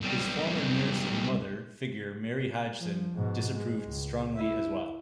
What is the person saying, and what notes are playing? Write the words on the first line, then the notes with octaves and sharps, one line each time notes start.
His former nurse and mother figure Mary Hodgson disapproved strongly as well.
B1 G3
F3
G#2 B2
G#3
C#2
E4